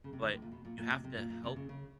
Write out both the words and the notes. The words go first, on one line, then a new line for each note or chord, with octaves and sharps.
but you have to help
C#3
C3
D3
A2
A#2
B2
A#2
A#2
C3
C3
A#2
A#2
C3
C#3
C#3